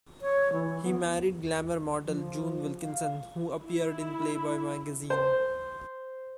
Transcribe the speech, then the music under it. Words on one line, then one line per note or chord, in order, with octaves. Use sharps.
He married glamor model June Wilkinson, who appeared in Playboy Magazine.
C#5
E3
B3
F3
F5
E4
C5